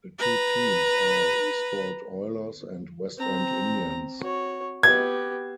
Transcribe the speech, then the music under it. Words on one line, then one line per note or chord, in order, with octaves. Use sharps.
The two teams are Esport Oilers and Westend Indians.
B4 A#5
C4 A#5
F#4 C#5
B3 G4 G#6